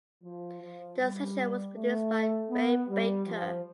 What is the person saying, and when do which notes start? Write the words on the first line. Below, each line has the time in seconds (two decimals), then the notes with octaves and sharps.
The session was produced by Ray Baker.
0.23 F3
0.61 F3
0.99 G3
1.74 A3
2.50 B3
2.88 G3
3.26 F3